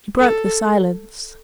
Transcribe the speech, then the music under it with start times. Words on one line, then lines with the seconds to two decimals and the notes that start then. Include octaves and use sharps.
She broke the silence.
0.19 A4